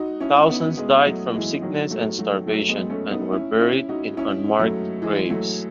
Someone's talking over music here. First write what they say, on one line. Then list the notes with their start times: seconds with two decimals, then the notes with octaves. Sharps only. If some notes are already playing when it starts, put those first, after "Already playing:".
Thousands died from sickness and starvation and were buried in unmarked graves.
Already playing: D#4 F#4
0.20 C#4 E4
0.49 B3 D#4
0.77 G#3 B3
1.06 F#3 A3
1.34 E3 G#3
1.62 D#3 F#3
1.91 F#3 A3
2.19 F#3 A3
2.47 F#3 A3
2.68 G#3 B3
2.90 A3 C#4
3.11 B3 D#4
3.32 C#4 E4
3.60 C#4 E4
3.89 D#4 F#4
4.17 C#4 E4
4.59 F#3 A3
5.02 E3 G#3
5.30 F#3 A3